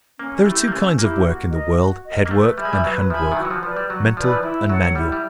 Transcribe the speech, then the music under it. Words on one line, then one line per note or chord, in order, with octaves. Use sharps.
There are two kinds of work in the world--head work and hand work; mental and manual.
A#3 C#4
A#3
A3 E4 G4
A#3
A3 C#4
A#3 E4 G4
F#4
A#4 D#5
F#4
A#4 D#5
A#3
A3 B4
G3 E5 G#5 B5
G#3
G3
F#3 B4
F3 E5 G#5 B5
D#3
E3 F#4
F#3
F3
F3 B4 D5
G3
F#3 F#4
F3 B4 D5
E3
F3
E3 E4
F#3 A4 C#5 F#5
G3 E4
G3